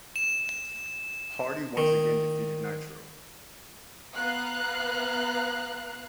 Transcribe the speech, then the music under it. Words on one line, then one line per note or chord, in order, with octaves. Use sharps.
Hardy once again defeated Nitro.
E7
D#3
B3 F5 A#5 F#6